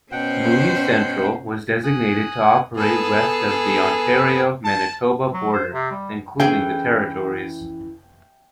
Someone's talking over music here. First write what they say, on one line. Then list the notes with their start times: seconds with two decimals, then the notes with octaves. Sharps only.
Movie Central was designated to operate west of the Ontario-Manitoba border, including the territories.
0.12 B2 C#4 C5 F#5 G5
1.84 G#5 D#6 F#6
2.77 B3 G#4 A4 G#5
4.64 A5
5.34 F#3
5.53 C5
5.73 C3
5.91 G3
6.40 E3 C#4 G#4 G5